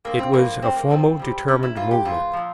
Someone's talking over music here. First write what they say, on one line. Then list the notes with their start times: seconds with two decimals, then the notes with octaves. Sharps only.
It was a formal, determinate movement.
0.05 G2 F3 A#3
0.19 C4
0.33 G2 F3 A#3
0.62 G#2 F3 C4
0.76 A#3
0.90 G#2 F3 C4
1.19 G#2 G3
1.48 G#2 G3 C#4
1.63 E4
1.76 G#2 E3 F4
1.91 G4
2.05 G#2 E3 F4
2.33 A#2 F3